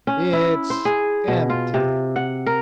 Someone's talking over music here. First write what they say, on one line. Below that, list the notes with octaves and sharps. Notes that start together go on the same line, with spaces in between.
"It's empty."
C#4
E4
C5
G#4
B2
F4
C3
F#5
A#4